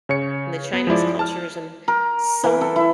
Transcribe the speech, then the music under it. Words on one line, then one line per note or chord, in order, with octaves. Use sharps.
and the Chinese cultures and some,
C#3 C#5 C#7
B3
F3 G#3 E4 D5
A5 F6
A#4
E3
A4
E4